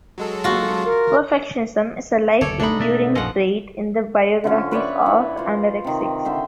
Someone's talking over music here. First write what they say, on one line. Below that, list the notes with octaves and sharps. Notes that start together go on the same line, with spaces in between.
Perfectionism is a life enduring trait in the biographies of anorexics.
F#3 G#3 A4
F4 F#4
A#4
F#1 D2 C3 A4 C#5 D5
C2 D4 D#4 B5
B2 A3 C4 A4 D5 E5
A#1 F#2 F3 C#4 A4 D#5 F#5
D3 F3 C#4
B4 C#5 D5 E5
E3
F4 C5
C3 D#3
D3 E5 G5 C6